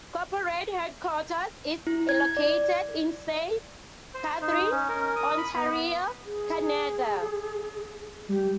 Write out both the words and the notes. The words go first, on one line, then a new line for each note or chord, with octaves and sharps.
Corporate headquarters is located in Saint Catharines, Ontario, Canada.
E4
G#6
D5
C5
D#4
C#4
A#4
D#6
B5
B3
G#4
G3 G4